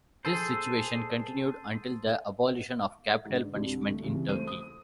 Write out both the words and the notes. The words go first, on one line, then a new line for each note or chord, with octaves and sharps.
This situation continued until the abolition of capital punishment in Turkey.
G#4 A4 C5
G#2 D3
C2 G2 D3 G3
A3
C2 C#3 E3 G3
A3 C5 D#7
D#6